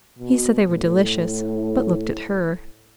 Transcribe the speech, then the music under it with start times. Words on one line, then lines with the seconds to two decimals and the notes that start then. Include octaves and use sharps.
He said they were delicious, but looked at her.
0.18 B2
0.62 A2